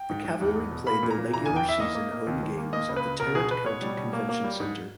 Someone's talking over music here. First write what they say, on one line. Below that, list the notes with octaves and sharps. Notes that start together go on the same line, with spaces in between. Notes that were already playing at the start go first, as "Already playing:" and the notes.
The Cavalry played their regular season home games at the Tarrant County Convention Center.
Already playing: G5
G#2
G#2
E2
E2
B2
A#3 B5
A#2
A#5
A#2
E3 A#5
E2 G#5
G5
E2 E5
A#3 D#5
A#3
A#3
D#2
D#2
A#3
A#3 D#5
C#2
B4
C#2
B2 A#4
B2 G#4
B2 B4
B2 C#5
G3
B2
A#3
A#3
G3
G#2